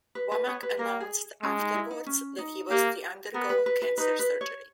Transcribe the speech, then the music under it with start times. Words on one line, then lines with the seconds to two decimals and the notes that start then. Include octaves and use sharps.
Womack announced afterwards that he was to undergo cancer surgery.
0.15 B4
0.32 B4
0.47 B3 C#5
0.63 B4
0.79 A#3 A#4
1.00 G#4
1.42 G#3 C#4
1.59 D#4
1.74 E4
1.91 D#4
2.06 C#4
2.38 D#4
2.70 A#3 G4
3.34 B3 A#4
3.50 B4
3.66 B4
3.82 B4
3.98 D#4 B4
4.19 B4
4.41 C#5